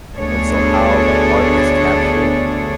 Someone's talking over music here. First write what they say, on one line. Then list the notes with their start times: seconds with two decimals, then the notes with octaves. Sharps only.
and so how the art is captured,
0.18 D2 B3 D4 G#4 A4 C#5